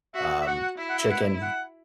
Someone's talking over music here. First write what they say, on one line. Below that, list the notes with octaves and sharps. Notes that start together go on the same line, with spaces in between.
um, chicken
F#4 E5
E5
F#4 F#5
F#5
E4 E5
F#5
E5
F#5
F#5